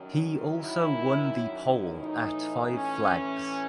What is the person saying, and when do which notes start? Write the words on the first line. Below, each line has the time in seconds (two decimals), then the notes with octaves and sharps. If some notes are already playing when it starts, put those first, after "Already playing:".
He also won the pole at Five Flags.
Already playing: F#2 D#3
0.56 E4
2.00 A2 E3 D#4
2.73 C#4